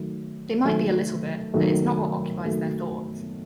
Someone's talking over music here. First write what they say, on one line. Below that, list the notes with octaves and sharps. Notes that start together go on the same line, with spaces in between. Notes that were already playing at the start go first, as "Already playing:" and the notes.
They might be a little bit, but it's not what occupies their thoughts.
Already playing: D#3 F#3 A3
D#3 F#3 A3
D#3 F#3 A3
D#3 F#3 A3